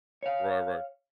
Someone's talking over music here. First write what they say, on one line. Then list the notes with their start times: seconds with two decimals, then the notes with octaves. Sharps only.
Right, right.
0.23 C#5 F5